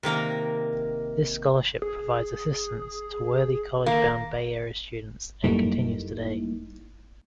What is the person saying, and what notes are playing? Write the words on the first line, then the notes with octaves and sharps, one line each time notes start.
This scholarship provides assistance to worthy college-bound Bay Area students, and continues today.
C3 D#3 A#3 A#4
G#4
D#3 A#3
F#2 G3 A3 A#3 D#4 E4